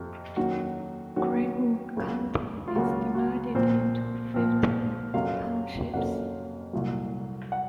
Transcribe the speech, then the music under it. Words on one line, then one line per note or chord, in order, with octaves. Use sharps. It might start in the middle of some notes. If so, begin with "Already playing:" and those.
Greenwood County is divided into fifteen townships.
Already playing: F2 C3 F3 C4
D#2 D#3 F#3 C#4 F#4
D#2 D#3 F#3 C#4 F#4
C#2 C#3 F#3 A#3
F4
C#2 C#3 F#3 A#3 F#4
F#4
A#1 A#2 F3 C4 C5
A#1 A#2 F3 C4
F2 C3 F#3 A#3 C#4 F5
F2 C3 F#3 A#3 C#4 F#5
C2 A#2 F#3
F#5